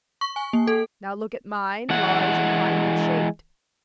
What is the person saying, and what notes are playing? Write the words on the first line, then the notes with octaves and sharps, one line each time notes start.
Now, look at mine, large and finely shaped.
C#6
G#5
A#3
A4
E3 G#3 F#5